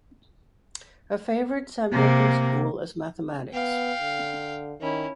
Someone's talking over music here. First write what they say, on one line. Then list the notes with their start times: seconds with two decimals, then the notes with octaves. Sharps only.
Her favorite subject in school is mathematics.
1.92 C3 A#3
3.53 B3 F5 G5
4.01 D3
4.81 D#3 C#4 E4